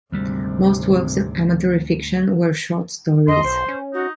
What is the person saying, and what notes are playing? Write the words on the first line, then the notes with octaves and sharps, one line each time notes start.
Most works of amatory fiction were short stories.
G#1 D2 C3 G3
F2 D#5 C6
B1 C5
C#4
D#4 F#4